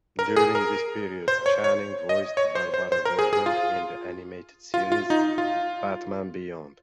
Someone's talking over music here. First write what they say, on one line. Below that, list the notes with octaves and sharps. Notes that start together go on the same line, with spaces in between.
During this period, Channing voiced Barbara Gordon in the animated series, "Batman Beyond".
A#4
G#4
A#4
C5
C#5
C#5
D#5
C#5
C5
C5
C5
A#4
G#4
G#4
F4
F4
F4
D#4
F4